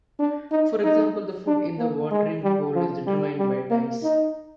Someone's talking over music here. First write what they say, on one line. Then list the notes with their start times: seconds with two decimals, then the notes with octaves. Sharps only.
For example the food in the watering hole is determined by dice.
0.20 D4
0.51 D#4
0.84 D#4
1.47 D4
1.79 A#3
2.11 G#3
2.44 G3
2.75 F3
3.07 G3
3.38 G3
3.70 A#3
4.03 D#4